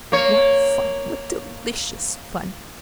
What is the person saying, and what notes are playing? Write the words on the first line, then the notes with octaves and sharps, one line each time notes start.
What fun--what delicious fun!
A#3 C#5